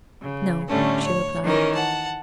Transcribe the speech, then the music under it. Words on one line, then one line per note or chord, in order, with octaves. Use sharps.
"No," she replied.
C#3
A2 D3 G3 A3 C#4
C#5
D#3 E3 C#4 A#4
F#5 A5